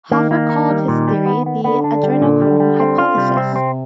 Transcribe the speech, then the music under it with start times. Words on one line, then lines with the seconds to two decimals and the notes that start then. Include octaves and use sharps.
Hoffer called his theory the "adrenochrome hypothesis".
0.11 D#3 A#3
0.31 A#3
0.50 D#4
0.70 G3
0.88 A#2
1.08 G3
1.26 B3
1.46 B3
1.64 D3 B3
1.84 D4
2.03 G3
2.22 A#2
2.41 G3
2.60 G3
2.80 C4
2.98 F4
3.17 C3 G3
3.37 C4
3.56 C4